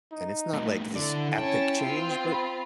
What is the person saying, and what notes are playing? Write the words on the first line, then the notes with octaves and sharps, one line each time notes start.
and it's not like this epic change, but
D#4
A2 C3
D3 E4 D5
C#4 G5 A5
C4 F4
B5